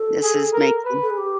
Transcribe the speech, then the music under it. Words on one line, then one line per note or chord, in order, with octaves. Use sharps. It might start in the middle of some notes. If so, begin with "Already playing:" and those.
this is making
Already playing: A4
G#4
A#4
B4
A4
G#4
G4